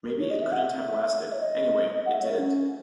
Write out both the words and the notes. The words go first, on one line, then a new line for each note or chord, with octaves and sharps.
Maybe it couldn't have lasted; anyway, it didn't.
A#4
C#5
D#5
E5
F#5
E5
E5
E5
C#5
D#5
F#5
E5
C#5
A#4
C#4